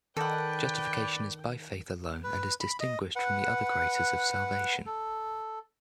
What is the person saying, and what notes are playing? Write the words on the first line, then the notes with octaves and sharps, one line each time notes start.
Justification is by faith alone and is distinguished from the other graces of salvation.
D#3 A4 B4 D5 F#5 G5
B4
B5
D#5
B4 F#5
A4